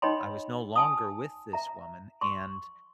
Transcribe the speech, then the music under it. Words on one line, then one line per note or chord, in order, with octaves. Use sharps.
I was no longer with this woman, and,
D#4 C#5 D#5 G5 B5 C6
G#5 A5 D#6
E5 A#5
C6 C#6